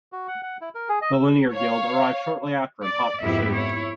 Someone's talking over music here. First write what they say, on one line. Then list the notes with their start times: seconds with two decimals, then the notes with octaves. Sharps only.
The Linear Guild arrives shortly after in hot pursuit.
0.12 F#4
0.28 F#5
0.43 F#5
0.61 E4
0.75 A#4
0.89 G#4
1.02 D#5
1.13 E6
1.53 C#5 F5
2.86 D5
3.22 F2 G#2 B3 E4 G4 E5
3.54 E4 C#5